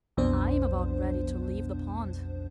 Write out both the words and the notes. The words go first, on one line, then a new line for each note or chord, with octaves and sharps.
I'm about ready to leave the pond.
B1 F2 B2 B3 D4 C5